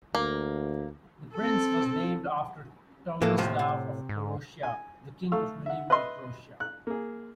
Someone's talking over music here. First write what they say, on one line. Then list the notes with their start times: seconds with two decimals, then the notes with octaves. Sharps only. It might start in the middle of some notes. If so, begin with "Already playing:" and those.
The Prince was named after Tomislav of Croatia, the King of medieval Croatia.
0.15 D2 A#3
1.35 C4 A4
3.22 A2 E3 A#3 A4
3.38 D#2 C3 F3
3.59 C3
4.09 G#2
4.63 G#5
5.32 A3 A4 F5 C#6 E6
5.66 E5 F#5
5.90 B4 D#5 E5 C6
6.60 F#6
6.87 A#3 G#4